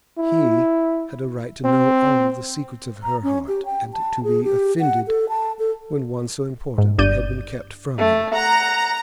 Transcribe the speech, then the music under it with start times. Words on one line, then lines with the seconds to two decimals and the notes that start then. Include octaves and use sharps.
He had a right to know all the secrets of her heart, and to be offended when one so important had been kept from him.
0.18 E4
1.65 C4
3.03 A#5
3.23 C#4
3.48 G4
3.65 G5
3.93 A5
4.23 G#4
4.44 G4
4.80 F#5
5.07 A4
5.29 A5
5.59 A4
6.78 G#2
6.98 G1 G2 D5 G6 D#7
7.98 A3
8.35 F#5 A#5